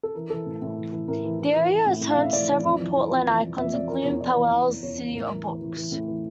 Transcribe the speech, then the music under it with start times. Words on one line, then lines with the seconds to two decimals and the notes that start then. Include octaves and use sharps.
The area is home to several Portland icons, including Powell's City of Books.
0.03 A4
0.15 E3 A#4
0.30 E3 A4
0.46 A2
0.62 A2
0.77 E3
0.92 E3
1.08 A2 A#4
1.24 E3
1.39 E3
1.55 E3
1.71 E3
1.86 A2
2.01 A2
2.11 F5
2.18 A2 E5
2.33 A2 D5
2.48 E3
2.64 F2
2.80 E3
2.95 E3
3.11 F2
3.27 E3
3.42 E3
3.58 F2 E5
3.73 F2 D5
3.89 E3 A#4
4.04 E2 C#5
4.20 E2 D5
4.36 E3
4.51 E2
4.67 E3
4.83 E2 C#5
4.99 E2
5.14 A2 A#4
5.30 E3
5.45 E3
5.61 E3
5.77 E3
5.92 A2
6.07 E3